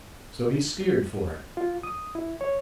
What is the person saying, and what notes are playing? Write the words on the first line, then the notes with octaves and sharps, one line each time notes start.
So he steered for it.
F4
D#6
E4
C#5